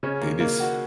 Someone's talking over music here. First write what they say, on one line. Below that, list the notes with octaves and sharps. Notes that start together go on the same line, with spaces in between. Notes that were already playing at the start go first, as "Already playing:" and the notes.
did this.
C#3 C#4
A#3
A#3
F#4